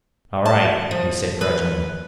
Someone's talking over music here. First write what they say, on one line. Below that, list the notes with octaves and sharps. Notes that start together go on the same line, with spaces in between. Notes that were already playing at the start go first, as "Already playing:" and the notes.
"All right," he said grudgingly.
A5
F3
B4